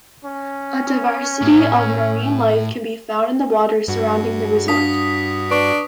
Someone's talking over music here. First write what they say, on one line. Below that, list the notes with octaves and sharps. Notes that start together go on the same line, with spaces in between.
A diversity of marine life can be found in the waters surrounding the resort.
C#4
A2
G2 F#4
D4 F5 A5 D#6 B6
D4 B4 C#6